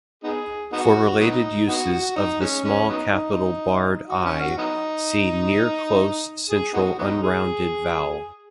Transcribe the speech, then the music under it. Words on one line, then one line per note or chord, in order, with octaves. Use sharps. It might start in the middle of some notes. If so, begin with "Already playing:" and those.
For related uses of the small capital barred i, see near-close central unrounded vowel.
B3 D#4 G#4
B3 D#4 F#4
F#3 B3 D#4
B3 D#4 F#4
F#4
D#4
G#3 C#4
G#3 C#4
F#3 B3 D#4
D#4
F#4
C#4
F#4
F#3 B3 D#4
G#4
B3 D#4 F#4
F#3 B3 D#4
G#4